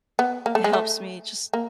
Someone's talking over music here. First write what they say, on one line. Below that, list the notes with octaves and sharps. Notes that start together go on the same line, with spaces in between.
it helps me just,
B3
A#3
A3
G#3
A3
A#3